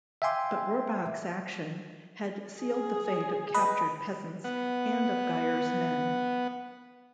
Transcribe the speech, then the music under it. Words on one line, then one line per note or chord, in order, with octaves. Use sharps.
But Rohrbach's action had sealed the fate of captured peasants and of Geyer's men.
E5 F5 G5 G#5 C6 D6
G#4
B4 D#5
B3 F#5